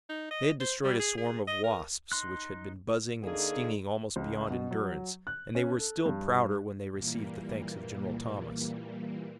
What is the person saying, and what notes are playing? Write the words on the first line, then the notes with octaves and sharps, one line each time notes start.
They had destroyed a swarm of wasps which had been buzzing and stinging almost beyond endurance, and they were still prouder when they received the thanks of General Thomas.
D#4
D#5
C5
G3
G#4
G#4
D#5
A#4
D#4 C6 F#6
D3 A#3 D#4 G#4
C#2
B2
F#3
F#6
C#4
A4
G2
A#2 E3 G3 A#3